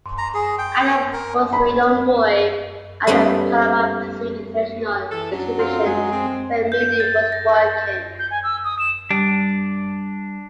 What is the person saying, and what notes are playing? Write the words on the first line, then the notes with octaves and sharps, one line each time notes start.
Adams was a young boy at the Panama-Pacific International Exhibition, where Mooney was working.
A#5
G#4
G5
G5
A#4
B5
G3 A3 B3 C#4 D#4 G4
E3 A4
F#3 C#4 D4
C4 F4
G#3
C4
G6
A6
A#6
G6
G#5
E6
D#6
E7
G3 D4